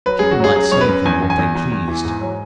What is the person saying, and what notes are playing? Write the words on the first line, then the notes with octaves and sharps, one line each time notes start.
People might say of him what they pleased.
F#3 B4
F#2 G#4
F#4
F#3 G#4
F#3 G#4
F#2 C#5
B4
F#2
E2 G#5
E2
G#5
E2
E2
E2
E3
G#2
F#3